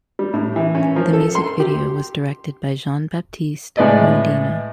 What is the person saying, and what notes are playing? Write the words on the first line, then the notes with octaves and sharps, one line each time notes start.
The music video was directed by Jean-Baptiste Mondino.
G3
A2
E3
C#4
F3
A4
C6
G4
A2 G#3 B4 D5 D#5